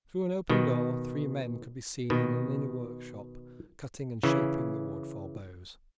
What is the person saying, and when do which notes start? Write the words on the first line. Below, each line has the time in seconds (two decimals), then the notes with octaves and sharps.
Through an open door three men could be seen in an inner workshop cutting and shaping the wood for bows.
0.50 B2 D#3
2.10 B2 D#3
4.23 C#3 E3